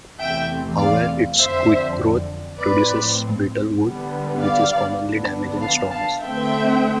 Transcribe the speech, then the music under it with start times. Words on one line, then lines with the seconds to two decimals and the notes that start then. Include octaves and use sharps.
However, its quick growth produces brittle wood, which is commonly damaged in storms.
0.19 E2 C3 E3 A3 C4 E5 G5
0.79 D5 F5
1.39 F2 D3 F3 C5 E5
2.59 A2 F3 C4 B4 D5
3.80 D3 G3 B3
4.39 D5 F5
5.00 D3 F3 B3 D4
5.60 F5 A5
5.90 F5 A5
6.20 D3 A3 C4 E5 G5